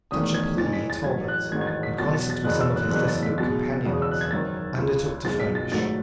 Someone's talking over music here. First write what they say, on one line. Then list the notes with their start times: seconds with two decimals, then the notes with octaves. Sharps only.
Such a plea Talbot, in concert with some of his dissolute companions, undertook to furnish.
0.11 E1 E2 D#3 A3 D#6
0.34 G#6
0.58 F#1 F#2 E3 A6
0.73 B6
0.90 A6
1.04 A1 A2 F#3 G#6
1.28 F#6
1.51 A1 G#2 D#3 F#3 G#6
1.61 G#6
1.67 A6
1.83 B6
1.98 E2 B2 F#3 A6
2.14 A6
2.30 A6
2.44 F#1 E2 C#3 F#3 F#6
2.60 E6
2.76 F#6
2.91 F#1 E2 C#3 F#3 F#6
3.08 A6
3.23 B6
3.38 B1 B2 G#3 A6
3.84 E1 E2 C#3 F#3
3.92 D#6
4.02 E6
4.11 F#6
4.21 G#6
4.31 G#1 F#2 D#3 A6
4.78 C#2 C#3 G#3
5.25 B1 B2 G#3 A6
5.40 B6
5.55 A6
5.71 G#1 G#2 F#3 A3 A6